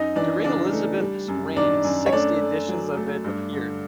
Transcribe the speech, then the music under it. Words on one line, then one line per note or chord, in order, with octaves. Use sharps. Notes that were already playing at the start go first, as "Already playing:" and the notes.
During Elizabeth's reign sixty editions of it appeared.
Already playing: F#2 D#4 D#5
E3 D4 D5
C#3 D4 D5
A3
G3
F#2
D#3 D4 D5
F#2
C#5
A3 D4 D5
A3
F#3
A3
G2
D3